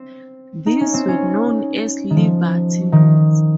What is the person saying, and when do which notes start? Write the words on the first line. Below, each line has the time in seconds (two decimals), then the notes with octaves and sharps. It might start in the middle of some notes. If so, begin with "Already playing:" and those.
These were known as "Liberty" notes.
Already playing: C4
0.66 D#4
0.81 C#4
0.94 C4
1.08 C#4
2.10 D#3
2.16 F3
2.92 D#3